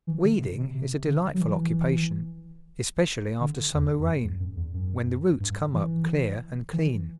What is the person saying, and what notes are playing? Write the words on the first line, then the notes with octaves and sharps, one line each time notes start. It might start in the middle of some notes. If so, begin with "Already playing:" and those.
Weeding is a delightful occupation, especially after summer rain, when the roots come up clear and clean.
E3
D3
C3
B2
C3
D3
F#3
E3
D3
E2
E2
F#2
E2
F#2
E2
F#2
G2
E3
E3